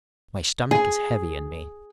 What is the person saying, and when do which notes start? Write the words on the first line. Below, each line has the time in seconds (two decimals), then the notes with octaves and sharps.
My stomach is heavy in me.
0.71 G#4